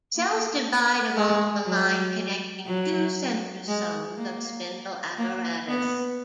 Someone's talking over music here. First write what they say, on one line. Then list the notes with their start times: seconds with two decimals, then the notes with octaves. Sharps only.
Cells divide along the line connecting two centrosomes of spindle apparatus.
0.16 A#3
1.17 G#3
1.66 F#3
2.67 F#3
3.68 G#3
4.17 A#3
5.18 A#3
5.68 B3